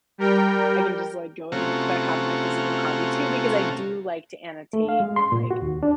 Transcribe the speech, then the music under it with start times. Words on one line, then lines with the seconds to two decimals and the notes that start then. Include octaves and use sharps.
I can just, like, go in, but have my physical copy, too, because I do like to annotate and, like,
0.18 G3 A#4 G5
1.52 C3 A3 C#4 F4 F#4 A#5
4.73 A3
4.89 F5
5.00 G#3
5.16 C6
5.32 A#2
5.51 F#4
5.62 D#2
5.83 D4